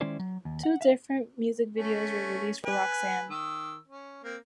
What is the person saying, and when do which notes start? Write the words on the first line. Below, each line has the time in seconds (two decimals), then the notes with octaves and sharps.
Two different music videos were released for "Roxanne".
0.01 D#3 G#3 C#4 E4 C5 D5
0.19 F#3
0.45 D#2
0.63 F#5
0.81 E5 F5
1.77 A3 C#4
2.65 B4 G#5
3.30 D#3 E6
3.88 C#4
4.24 A#3 C4